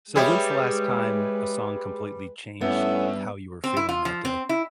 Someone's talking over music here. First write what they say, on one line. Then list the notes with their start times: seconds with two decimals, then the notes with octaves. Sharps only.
So when's the last time a song completely changed how you were feeling that day?
0.16 G3 G#3 G4 G#4 B4 C#5 E5
2.61 G2 A3 B3 C#4 E4 E5
3.64 C4
3.77 E4
3.89 F4
4.05 F3
4.25 C4
4.49 E4